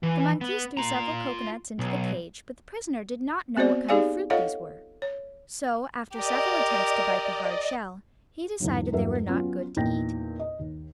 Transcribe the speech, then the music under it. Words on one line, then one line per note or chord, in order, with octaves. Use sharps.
The monkeys threw several cocoanuts into the cage, but the prisoner did not know what kind of fruit these were; so, after several attempts to bite the hard shell, he decided they were not good to eat.
E3
B3
F4 A#5
B1
B3 C4 F#4 C5 D5
D#4 G4 G#4 D5 F5 G#5
F4 A4 C#5 D#5 F5 F#5
C#5
G4 A#4 D5 D#5
E2 G#2 D3 F#3
E2 G2 F#3 A#4 E5
F#3 B3 C#4 F4
E2 A#2 D#4 G5 A#6
D#5
D#2